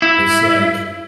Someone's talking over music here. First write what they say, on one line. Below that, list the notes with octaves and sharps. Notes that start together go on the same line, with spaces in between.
it's like,
E4